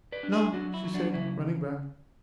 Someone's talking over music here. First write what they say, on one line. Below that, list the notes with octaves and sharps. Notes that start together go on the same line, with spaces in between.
"No," she said, running back.
B4 D5
D4
E4 G#4
F#3 D4 F#4
E4
F#3
D4 F#4
C#3 E4